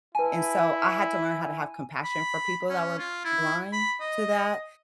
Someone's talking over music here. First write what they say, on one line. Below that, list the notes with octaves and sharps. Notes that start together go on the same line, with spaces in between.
And so, I had to learn how to have compassion for people that were blind to that,
E4 B4 G#5 A5
B5
C#4
F4
E4
B5
D#5